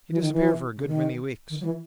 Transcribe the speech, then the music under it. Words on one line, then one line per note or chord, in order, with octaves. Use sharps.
He disappeared for a good many weeks.
E3
D#3
E3
C#3
D#3
D#3
F#3
E3